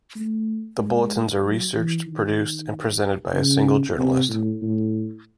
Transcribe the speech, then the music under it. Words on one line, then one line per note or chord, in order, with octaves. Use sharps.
The bulletins are researched, produced and presented by a single journalist.
A3
G#3
F#3
E3
D#3
C#3
C3
A2
A2